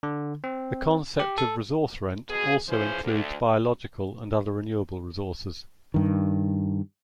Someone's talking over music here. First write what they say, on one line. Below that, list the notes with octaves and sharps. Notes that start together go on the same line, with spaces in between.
The concept of resource rent also includes biological and other renewable resources.
D3
C4
G4
A4
B2 G#4
E3 F3 C#4 G#4 C5
D2
G2 D#3